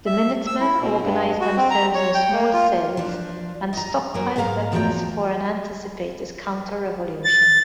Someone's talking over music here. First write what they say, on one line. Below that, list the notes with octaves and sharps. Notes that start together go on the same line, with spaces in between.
The Minutemen organized themselves into small cells and stockpiled weapons for an anticipated counter-revolution.
E5
E6
E4
B2
G2
F#4
C4
A#5
C#5
G5
A#3
F4
F3 D4
D#5 A#5
F#3 A#3
G#2 A#3 G4 G#4 F5 A#5
E2 F3 F#3 G#4 G5 A#5
A6